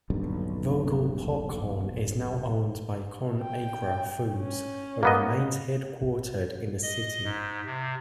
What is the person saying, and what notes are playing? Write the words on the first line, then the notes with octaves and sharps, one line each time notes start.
Vogel Popcorn is now owned by ConAgra Foods but remains headquartered in the city.
D#1 B1 G2 D3
G5
C#4
A#3 B3 D#5
D#5
G#2
C3